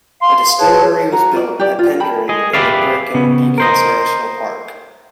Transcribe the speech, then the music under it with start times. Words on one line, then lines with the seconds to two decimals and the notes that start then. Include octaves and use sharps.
A distillery was built at Penderyn in the Brecon Beacons National Park.
0.21 F5 C6
0.59 G#4 B4 C#5 A5
1.12 F#4 A#5
1.33 F4 D5
1.59 G4 D5
1.79 F4
2.00 G#4 G5 A5 B5
2.29 G#4 D#5
2.53 G4 G#4 B4 D5 E5 F5
3.15 C#3 B3
3.58 A#4 C5 D#5